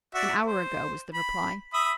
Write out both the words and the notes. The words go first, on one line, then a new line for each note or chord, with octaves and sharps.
"An hour ago," was the reply.
F#4 D5 E5
C5
B5
E5 B5 D#6